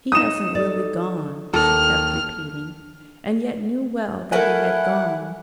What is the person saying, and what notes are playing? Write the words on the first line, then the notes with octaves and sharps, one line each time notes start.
He hasn't really gone,' she kept repeating, and yet knew well that he had gone.
C#4 D#4 D#6 E7
A4 D5
D#2 D#4 A4 F6
A3 E4 A#4 B4 F#5 G#5